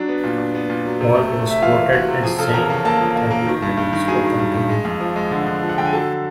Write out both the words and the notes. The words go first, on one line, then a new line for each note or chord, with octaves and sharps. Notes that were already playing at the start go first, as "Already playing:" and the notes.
Hall was quoted as saying "the door remains open to him".
Already playing: F#3 D4
B3
A#2
D4
B3
A#2
F#3
C3
A3
A3
A3 E5
E3 F4 F5
E3
E3 F#4 F#5
C3
F3 G#4 G#5
C#3 A4 A5
E2 A#4 A#5
C#3
A#3 A4 A5
F3
A#3
A#3
D#3
G2
G2
D#3
F#3 G#4 G#5
D#3
G2
G2
G#3
F2
F3
G#3
D3
D3
F3
F#5
D3 G5
G#5
F#3 A4 A5